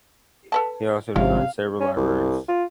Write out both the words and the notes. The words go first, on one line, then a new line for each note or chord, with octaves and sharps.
He also designed several libraries.
A4 B4 A5
G#1 G#2 C3 F3 C#4 F5
C#4
C2
F4